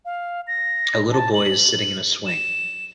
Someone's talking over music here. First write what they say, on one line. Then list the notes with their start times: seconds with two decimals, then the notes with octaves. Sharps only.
A little boy is sitting in a swing.
0.05 F5
0.47 A#6
1.12 A5
1.34 F#7
2.26 E7